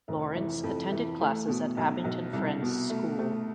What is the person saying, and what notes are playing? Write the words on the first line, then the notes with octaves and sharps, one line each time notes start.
Lawrence attended classes at Abington Friends School.
F1
E3
F2
E3
A3
B2
B1
B1
C2
B2
A3
A3